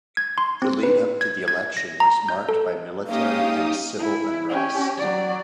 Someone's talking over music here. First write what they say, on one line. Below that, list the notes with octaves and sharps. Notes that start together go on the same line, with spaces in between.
The lead-up to the election was marked by military and civil unrest.
G#6
C6
C4
B4
G#6
G#6
A#6
A#5
G6
A4
A#3 C#4 D#4 G4 F5 D#6
E4
C#4 G4
F#3 D5